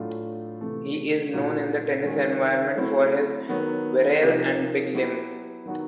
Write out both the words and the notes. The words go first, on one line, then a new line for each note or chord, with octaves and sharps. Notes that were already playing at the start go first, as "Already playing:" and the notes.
He is known in the tennis environment for his virile and big limb.
Already playing: A2 F#3 A3 D4 F4
C3 E3 A3
A#2 F#3 A#3 D#4 F#4
D#3 G#3 C#4 F#4
F#3 A3 C4 E4
D#3 F#3 B3
C3 F3 A#3 D#4 G4
F#3 B3 E4 G4
D#3 F#3 B3 D#4 F#4